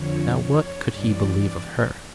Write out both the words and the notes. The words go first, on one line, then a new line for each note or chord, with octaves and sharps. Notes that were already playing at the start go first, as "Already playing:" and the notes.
Now, what could he believe of her?
Already playing: F2 D3 F3 C#5
C#5
G2 E3 D5